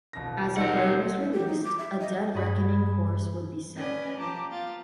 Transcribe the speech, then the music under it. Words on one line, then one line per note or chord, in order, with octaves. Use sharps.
As a bird was released, a dead reckoning course would be set.
D#1 B2 A#6
C4 D#4 A#4 F#5
E4
G4
D#4
D6
E5
D#5
G2 G#4 B5 G#6
C#4 B4 D5 D#5 G#5
F3 G4 A5 A#5 D6
B3 F4 A6